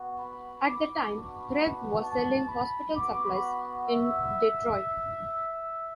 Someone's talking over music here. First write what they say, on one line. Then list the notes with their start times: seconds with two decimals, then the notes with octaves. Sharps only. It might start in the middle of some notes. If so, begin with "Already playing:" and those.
At the time, Greg was selling hospital supplies in Detroit.
Already playing: B3 F#4
0.20 B5
0.65 D6
1.12 B3 D4 F#4 B5
2.03 A5
2.49 B5
2.95 B3 F#4 D6
3.25 B5
3.87 E5